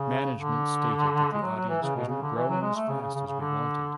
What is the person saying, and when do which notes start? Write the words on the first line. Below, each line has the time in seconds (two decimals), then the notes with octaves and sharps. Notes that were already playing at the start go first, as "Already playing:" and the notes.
Management stated the audience wasn't growing as fast as we wanted.
Already playing: C#3
0.38 D3
1.32 G#3
1.42 F#3
1.56 F#3
1.69 E3
1.83 C#3
1.96 B2
2.08 C#3
2.22 D3
2.36 E3
2.48 F#3
2.62 G#3
2.75 A3
2.88 C#3
3.02 C#3
3.15 C#3
3.27 C#3
3.41 D3